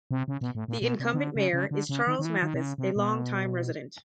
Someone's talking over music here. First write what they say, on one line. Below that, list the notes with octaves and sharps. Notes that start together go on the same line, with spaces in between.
The incumbent Mayor is Charles Mathis, a long time resident.
C3
C#3
B2
A2
A#2
B2
C3
D#3
D3
C#3
C#3
D3
C#3
D#3
D#3
E3
D#3
C3
C#3
C3
B2